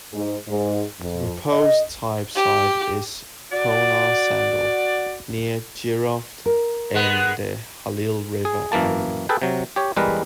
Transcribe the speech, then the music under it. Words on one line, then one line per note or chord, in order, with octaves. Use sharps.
The proposed type site is Konar Sandal, near Jiroft in the Halil River area.
G#2
G#2
F2
D#5
G4
F#4 D5
A#4
G#3 B3
G#4
F#2 E3 A#3 A5
G#4 A4 B4 G5
C3 F#3
G4 C#5
E2 G3 G#3 A#4 B4